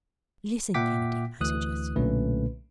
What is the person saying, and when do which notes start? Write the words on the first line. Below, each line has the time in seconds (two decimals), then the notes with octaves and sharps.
"Listen, Kennedy!" I suggested.
0.74 A#2 E5 F#5 G5 D6 B6
1.41 D2 E3 D#6 F#6
1.96 B1 A#2 D3 A3 C#4 B4